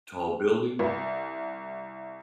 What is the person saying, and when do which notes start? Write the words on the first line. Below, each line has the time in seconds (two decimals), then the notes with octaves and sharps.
Tall building.
0.79 C2